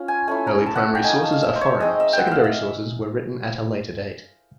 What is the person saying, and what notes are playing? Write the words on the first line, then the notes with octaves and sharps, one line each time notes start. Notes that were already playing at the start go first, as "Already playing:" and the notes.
Early primary sources are foreign; secondary sources were written at a later date.
Already playing: C#4 F4
G#5
A3 C#4 E4 G#5
A#5
A5
F#5
G5
A#3 D#4 G#5
A5
F5
E5
C5
C#5
G#3 C4 D#4 D#5
E5
G5
F#5
E5 F5
E5